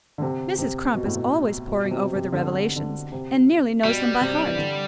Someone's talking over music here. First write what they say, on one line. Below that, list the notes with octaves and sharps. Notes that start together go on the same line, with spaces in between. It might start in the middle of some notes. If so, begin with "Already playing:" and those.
Mrs. Crump is always poring over the Revelations, and nearly knows them by heart.
D3
C3
C3
B2
A2
B2
B2
B2
C3
C3
D3
C3
D3
C3
B2 G3
C3
E3
D3